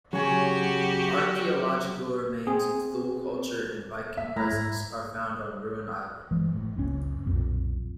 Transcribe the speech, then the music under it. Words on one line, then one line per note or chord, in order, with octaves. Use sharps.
Archeological remains of Thule Culture and Viking presence are found on Ruin Island.
C#3 F#3 F#4 G4 C#5 G#5 C#6
C4 G#4
E5
A3 E4 A#5
G#2
G1 E3 F3 G#3
A2
F#1 C#2 C3 C#4
B1 F2 A#2